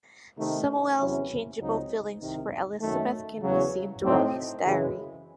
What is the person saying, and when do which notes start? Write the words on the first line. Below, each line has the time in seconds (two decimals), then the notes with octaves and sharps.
Samuel's changeable feelings for Elisabeth can be seen throughout his diary.
0.38 C3 D#3 A3 D#4
0.99 E2 C3 F#3 C#4 E4
1.60 C#2 C#3 F#3 C4 D#4
2.21 C2 C3 D#3
2.81 F#2 D#3 A3
3.42 E2 C#3 F#3
4.03 A2 F#3 A3 C4 D#4
4.64 F#2 C#3 E3 G#3